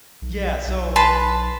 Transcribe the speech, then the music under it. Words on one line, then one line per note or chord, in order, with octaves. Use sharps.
Yeah, so
B1
B1
B4 A5 C6